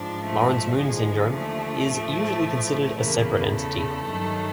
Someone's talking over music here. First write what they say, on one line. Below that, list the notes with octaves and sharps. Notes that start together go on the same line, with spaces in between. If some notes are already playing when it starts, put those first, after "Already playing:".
Laurence-Moon syndrome is usually considered a separate entity.
Already playing: G#2 F3 D4
A3
D#2 D3 F3 G#3
A3
A2 F3
E2 C#3 E3 A#3
A3
G2 D#3 F#3